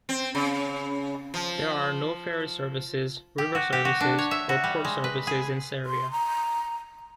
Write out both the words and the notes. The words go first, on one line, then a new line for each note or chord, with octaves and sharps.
There are no ferry services, river services or port services in Seria.
C4
C#3
F3
G4
F#4
G4
F#4
D4
C#5
E5
F#4
G3
G#3
B4
G#4
C6
A#5